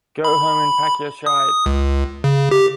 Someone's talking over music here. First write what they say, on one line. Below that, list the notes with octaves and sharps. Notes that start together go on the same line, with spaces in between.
Go home and pack your shite!
B5
D#6
C#2
C#3
G4